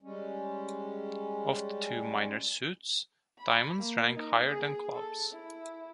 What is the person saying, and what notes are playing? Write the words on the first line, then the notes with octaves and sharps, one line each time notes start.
Of the two minor suits, diamonds rank higher than clubs.
G3 G#3 C#4
B5
A#3
D#4
G#4
A4
E4